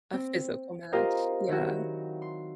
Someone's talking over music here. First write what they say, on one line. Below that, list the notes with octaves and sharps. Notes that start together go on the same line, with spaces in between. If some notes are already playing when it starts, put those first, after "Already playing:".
a physical match, yeah.
C4
F4 G4 A#4 C5 D#5
D#3 F#3 E4 F#4
C6